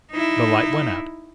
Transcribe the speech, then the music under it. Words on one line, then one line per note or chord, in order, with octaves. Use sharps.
The light went out.
D#4 E4